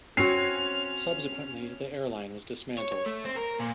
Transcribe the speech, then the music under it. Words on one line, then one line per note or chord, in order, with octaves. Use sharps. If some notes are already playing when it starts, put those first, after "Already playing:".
Subsequently, the airline was dismantled.
C4 C#4 F#4 C#5 C7 F7
C#5
C#5
A3
C4
A#4
A#2